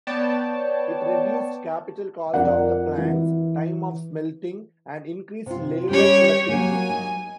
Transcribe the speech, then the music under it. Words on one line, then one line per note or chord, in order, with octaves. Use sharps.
It reduced capital cost of the plants, time of smelting, and increased labor productivity.
B3 C#5 D5 G5 A5
F2 A#4 D5 F#5
E3
C3 F4
G3 C#4 G4 C#5
F#3 A#3 G#5
D#4